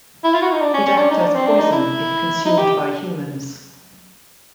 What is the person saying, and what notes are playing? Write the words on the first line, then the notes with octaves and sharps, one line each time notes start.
It acts as poison if consumed by humans.
E4
F4
F#4
D#4
D4
C#4
C#4
D4
D#4
D4
C4
D4
D#4
E4
D#4
G4